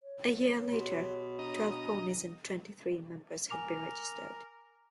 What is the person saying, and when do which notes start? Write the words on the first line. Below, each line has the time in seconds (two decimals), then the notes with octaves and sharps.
A year later, twelve ponies and twenty-three members had been registered.
0.03 C#5
0.72 B2 G4 G#4 C6
1.39 D4 D#5 A#5
3.50 A#4 G#5 D6 F7